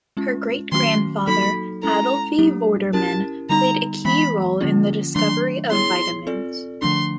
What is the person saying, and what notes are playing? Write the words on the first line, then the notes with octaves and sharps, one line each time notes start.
Her great-grandfather Adolphe Vorderman played a key role in the discovery of vitamins.
G#3 C#4 F4
D#3 F#3 A3 C#4 F#4 C6
F#3 A#3 D#4 F#4 A4 B5
G#3 C#4 E4 A4 A#5
F#3 A#3 D4 G4
C#4 E4 G4 A#4 A5
D3 G3 B3 D#4 A#5
E3 G#3 B3 B5
D3 F3 A#3 C#4 F4
D#3 F#3 A3 D4 C6
B3 E4 G#4 C#5 C6
C4 F4 A4 D5
D3 F3 A3 D4 C6